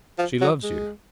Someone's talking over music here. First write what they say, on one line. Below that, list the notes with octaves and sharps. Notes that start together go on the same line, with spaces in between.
She loves you.
F3
F#3
G#3